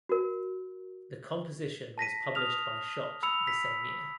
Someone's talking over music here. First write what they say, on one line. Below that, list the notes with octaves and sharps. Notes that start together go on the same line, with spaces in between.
The composition was published by Schott the same year.
F#4 A#4
A5 A#6 B6 D#7
D#6 F6 F7
B5 E6 C#7 F7
B6